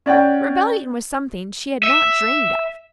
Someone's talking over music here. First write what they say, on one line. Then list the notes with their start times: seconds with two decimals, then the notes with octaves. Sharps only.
Rebellion was something she had not dreamed of.
0.06 C#4 D5 F#5 G5
1.83 E5